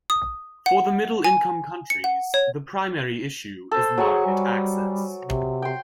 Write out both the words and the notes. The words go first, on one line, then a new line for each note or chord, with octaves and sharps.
For the middle-income countries, the primary issue is market access.
D#6
F#5
G#5
C#7
F#5
C#5
A4 C5
F#3 G#4 G#5 C#6
G3
C3
G5 C6